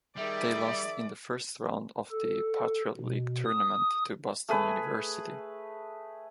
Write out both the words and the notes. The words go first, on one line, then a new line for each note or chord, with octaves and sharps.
They lost in the first round of the Patriot League Tournament to Boston University.
D#3 G3 G#4 D5 E5
A4
B2
D#6
A3 G#4 B4